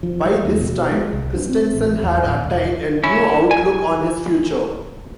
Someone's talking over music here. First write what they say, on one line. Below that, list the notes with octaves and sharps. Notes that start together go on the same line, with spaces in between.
By this time, Christensen had attained a new outlook on his future.
F3
G3
E2
B2
G#3
C2
G2
C4
A1
E2
D1
E1
C#4 E4
G#5